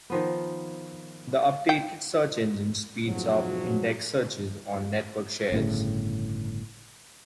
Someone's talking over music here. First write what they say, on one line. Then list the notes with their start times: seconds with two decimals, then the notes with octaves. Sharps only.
The updated search engine speeds up indexed searches on network shares.
0.10 D#3 F3 B3
1.69 G5
3.06 F2 G#2 B2 F3 F#3
5.52 G1 A2 C#3